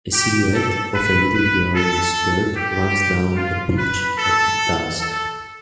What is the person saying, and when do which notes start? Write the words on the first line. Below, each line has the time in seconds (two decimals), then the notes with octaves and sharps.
The silhouette of a little girl in a skirt runs down a beach at dusk.
0.13 G4
0.54 A4
0.93 B4
1.34 B4
1.74 A4
2.55 G4
3.36 F4
3.77 B4
4.18 A4
5.00 A4